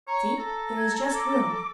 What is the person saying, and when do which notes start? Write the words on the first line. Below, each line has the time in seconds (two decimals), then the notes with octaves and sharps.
"See! there is just room."
0.07 C#5 A#5
0.38 A4 A#5
0.77 G#6
1.14 D6